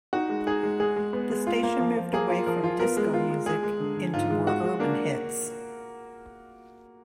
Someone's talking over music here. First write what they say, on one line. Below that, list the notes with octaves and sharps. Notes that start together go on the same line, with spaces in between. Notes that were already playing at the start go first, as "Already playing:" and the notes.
The station moved away from disco music into more urban hits.
D#4 F#4
G#3
D#4 G#4
G#3
G#3 G#4
G#3
B3
G#3
F4
A#3
F3
F3
A#3 G#4
F4
F3 A#4
F4
B3 A#4
G#3
F4
G#3
G#3 G#4
G#3
D3
D3
G#2 F4
G#3
G#3 F#4
G#3
A#3 D4